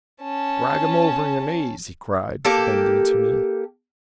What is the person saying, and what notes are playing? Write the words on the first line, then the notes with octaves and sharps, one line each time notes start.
"Drag 'em over your knees," he cried, bending to me.
C#4 A5
A#3 G4 A4